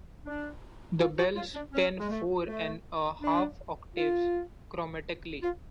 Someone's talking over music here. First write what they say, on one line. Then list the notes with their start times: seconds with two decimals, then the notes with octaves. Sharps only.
The bells span four and a half octaves chromatically.
0.25 D4
1.00 F4
1.18 F#4
1.35 F4
1.54 D4
1.73 C#4
1.99 G#3
2.10 A3
2.48 A3
3.22 D4
3.95 F4
5.43 F4